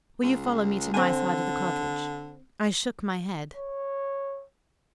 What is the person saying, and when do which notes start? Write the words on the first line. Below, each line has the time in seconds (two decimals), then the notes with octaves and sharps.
"Will you follow me to my side of the cottage?" I shook my head.
0.23 C#2
0.94 D3 C4 G#5
3.56 C#5